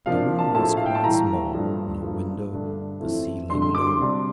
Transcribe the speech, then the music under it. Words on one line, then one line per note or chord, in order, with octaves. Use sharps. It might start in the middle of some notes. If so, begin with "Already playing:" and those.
The room was quite small; no window; the ceiling, low.
C3 F3 A#3 D4 F5
A5
A2 F3 A3 E4 A5
F5
G5
A5
A2 E3 G3 A#5
G2 F3 A3 D4
G2 F3 A3 D4
G2 D3 A3 D4
F2 E3 A3 C4 E4
D3 G3 D4 C6
C6
D6
C6
C3 G3 D4